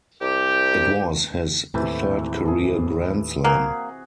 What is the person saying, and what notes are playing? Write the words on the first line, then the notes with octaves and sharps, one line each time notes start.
It was his third career grand slam.
C2 G4
D#2 A2 C3 E3 A3
G#4 A4
A#3 F#4 G#4